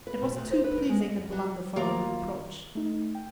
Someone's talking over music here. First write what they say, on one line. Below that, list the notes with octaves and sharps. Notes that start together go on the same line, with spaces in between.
It was too pleasing a blunder for a reproach.
B4
B2
D2
C5
B4
D#3
G#3
D#5
F#2
F#3
D#2 A3 A#3 F4 G4 A#5 D6
A3 D#4
G5